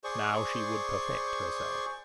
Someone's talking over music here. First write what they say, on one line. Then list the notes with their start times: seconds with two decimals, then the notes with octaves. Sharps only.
Now she would perfect herself.
0.04 G#4 C5 D5 C#6